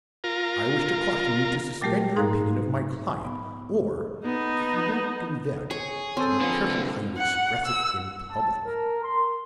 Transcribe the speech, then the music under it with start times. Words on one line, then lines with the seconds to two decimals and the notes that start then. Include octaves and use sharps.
I wish to caution you to suspend your opinion of my client, or, if you won't do that, to be careful how you express it in public.
0.24 F4 A#4
1.81 A#2 F#3 G3 A3 G4 A#4
2.16 G#2 D#4 F5 A#5
3.25 B3
4.24 B3 D#4
5.71 G#4 C#5
6.17 C4 C#4 A4
6.41 D3 F3 B3
6.69 C2
7.18 F#5
7.66 E6
8.30 A5
8.65 A#4
9.03 C6